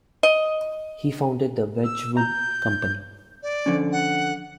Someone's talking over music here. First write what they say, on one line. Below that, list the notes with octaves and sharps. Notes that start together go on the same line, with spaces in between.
He founded the Wedgwood company.
D#5
E6
A#5 G6
D5
D3 F3 C#4
F#5